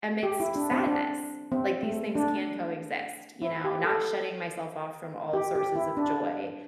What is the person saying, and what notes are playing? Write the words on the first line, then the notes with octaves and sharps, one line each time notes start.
amidst sadness. Like, these things can coexist, you know? Not shutting myself off from all sources of joy,
G4
E4
D4
C4
D4
C4
A3
D4
E4
G4
A4
G4
G4
E4
D4